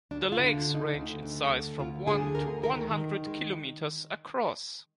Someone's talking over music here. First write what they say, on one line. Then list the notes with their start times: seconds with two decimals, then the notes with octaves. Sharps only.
The lakes range in size from one to one-hundred kilometers across.
0.11 D2 D4
0.32 F4
0.39 D3
0.67 D2
0.74 D#4
0.94 D2
1.23 D3
1.52 D2
1.79 D2 F4
2.07 D3 G#4
2.35 D2 A#4
2.63 D#3 A#4
2.91 D#3
3.27 G#3